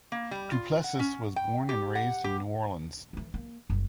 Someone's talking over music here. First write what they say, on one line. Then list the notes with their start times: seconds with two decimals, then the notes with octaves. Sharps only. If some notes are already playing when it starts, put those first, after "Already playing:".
Duplessis was born and raised in New Orleans.
0.12 A#3
0.31 G3
0.52 F4
0.84 F#5
0.99 C#4
1.36 G5
1.69 G4
1.95 F#5
2.24 G4
3.13 E3 A3
3.34 A#3
3.70 F#1 G3